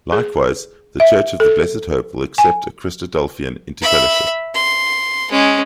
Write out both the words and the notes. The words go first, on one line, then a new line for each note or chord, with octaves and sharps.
Likewise, the Church of the Blessed Hope will accept a Christadelphian into fellowship.
G#4
E5
A4
G#5
E5 B5
C6
G#3 C#4